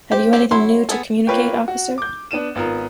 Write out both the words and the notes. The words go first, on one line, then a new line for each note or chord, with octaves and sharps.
Have you anything new to communicate, officer?
G4 C5
F#3 C4 G4
F#3 E4 C6
B3 G#4 A4
A#3 F4 B4 C#5 G5
F#4
D6 G6
B3 D4 D#7 E7
G#1 B3 F4 A#4